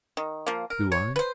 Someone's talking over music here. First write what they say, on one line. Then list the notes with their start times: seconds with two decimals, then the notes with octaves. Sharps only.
"Do I?"
0.17 D#3
0.47 F3 A#3
0.70 A#4
0.92 C#5
1.16 B4 C5